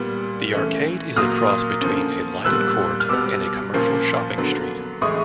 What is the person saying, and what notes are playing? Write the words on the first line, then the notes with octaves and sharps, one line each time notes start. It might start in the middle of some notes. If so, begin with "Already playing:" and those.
The Arcade is a cross between a lighted court and a commercial shopping street.
Already playing: A#2 G3 B3
E3 A3 C#4
A#2 F#3 A#3 D#6 F6
D3 F3 A#3 C#4
A#2 G3 B3 E6 F#6
F6
B2 G3 B3 D6 E6
A#2 F3 A#3 C#4
D3 F#3 B3
A2 E3 G#3 C#6 D#6